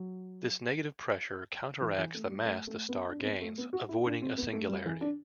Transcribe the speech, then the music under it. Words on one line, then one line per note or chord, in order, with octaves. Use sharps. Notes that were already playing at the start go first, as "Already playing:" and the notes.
This negative pressure counteracts the mass the star gains, avoiding a singularity.
Already playing: F#3
E3
E3
A3
G3
A3
A3
B3
D4
C4
B3
A3
B3
F#4
E4
D4
C4
B3
A3
G3
E3
D4